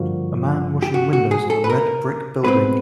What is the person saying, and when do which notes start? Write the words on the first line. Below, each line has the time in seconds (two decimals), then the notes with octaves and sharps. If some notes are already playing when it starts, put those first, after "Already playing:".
A man washing windows on a red brick building.
Already playing: G2 D3 F3 A#3 F#4
0.82 G4
0.94 F#4
1.13 F#4
1.31 G#4
1.50 A4
1.64 B4
1.70 A#4
2.44 B2 G#3 C4 B4